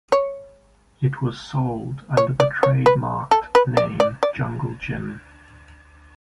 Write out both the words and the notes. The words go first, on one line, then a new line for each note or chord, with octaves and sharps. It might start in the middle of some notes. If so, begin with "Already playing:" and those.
It was sold under the trademarked name Junglegym.
C#5
C#5
D5
C#5
B4
A4
B4
D5
D5
D5